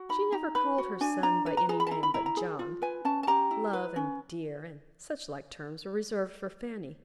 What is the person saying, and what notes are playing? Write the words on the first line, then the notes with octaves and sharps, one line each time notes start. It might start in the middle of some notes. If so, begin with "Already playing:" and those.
She never called her son by any name but John; 'love,' and 'dear,' and such like terms, were reserved for Fanny.
Already playing: F#4
D#4 B5
D#4 A#5
B4 B5
F#4
D4 G#5
D4 A#5
B4 A#5
A#5
G#4 A#5
B5
A5
E4 A#5
B5
E4 A#5
A#5
G#4
F4
B4 G#5
C#4 A5
A5
G4 A#5
E4
B4
C#4